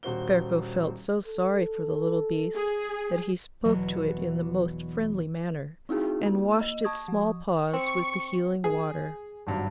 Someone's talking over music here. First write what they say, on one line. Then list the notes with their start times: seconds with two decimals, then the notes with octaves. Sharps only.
Ferko felt so sorry for the little beast that he spoke to it in the most friendly manner, and washed its small paws with the healing water.
0.03 D#1 F#4 C5 G7
1.26 A4
2.54 G#4
3.65 E2 B2 E3 F#3 D#5
5.89 C4 D#4 E4 F#4 G#4
6.26 A#3
6.61 D#5
6.84 A5 C#6 D#6 G#6
7.08 F3
7.74 C4 C#6
8.64 G#4
9.47 G#1 G2 F#3